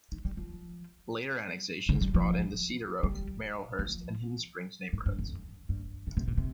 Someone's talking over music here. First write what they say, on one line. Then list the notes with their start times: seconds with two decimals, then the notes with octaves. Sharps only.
Later annexations brought in the Cedaroak, Marylhurst and Hidden Springs neighborhoods.
0.12 D#3
0.25 G3
0.37 F3
1.89 C#3
2.01 G3
2.14 F3
3.03 G3
3.79 F3
4.93 G#2
5.06 G2
5.19 F2
5.69 G2
6.07 C#3
6.17 C3
6.28 A#2
6.37 C3